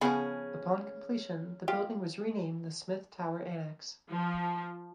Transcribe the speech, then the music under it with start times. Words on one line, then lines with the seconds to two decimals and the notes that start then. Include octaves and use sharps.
Upon completion the building was renamed the Smith Tower Annex.
0.01 C#3 F3 B3 C#4 G#4
1.68 F4 G4
4.10 F3